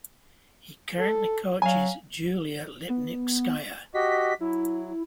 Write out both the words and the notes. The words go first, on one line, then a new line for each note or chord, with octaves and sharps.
He currently coaches Julia Lipnitskaya.
A4
F#3 F5 G#5
B3
F#4 G4 D#5 B6
F#3 E4